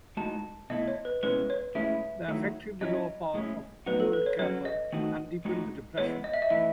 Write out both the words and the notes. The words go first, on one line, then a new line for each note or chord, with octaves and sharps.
The affected the lower part of old Carver and deepened the depression.
A2 G#3 D#4 F#4 A5
B2 A3 E4 D#5
C#5
B4
B2 G#3 C#4 E4 B4
C#5
A2 G#3 C#4 E4 E5
D#3 F#3 A3 E4
F#3 C#4 E4 D#5
A2 G#3 C#4 E4
A2 F#3 B3 D#4 F#4 B4
A4
B4
C#5
F#3 C#4 F#4 C#5
D#5
D#3 A3 D#4 F#4
A2 G#3 D#4 F#4
E3 G#3 B3 E4 C#5
D#5
E5
D#5
A2 E3 A3 E4 E5